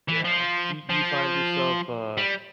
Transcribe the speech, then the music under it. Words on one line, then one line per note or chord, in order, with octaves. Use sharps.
Yeah, do do you find yourself, uh,
E3
F3
F3
G3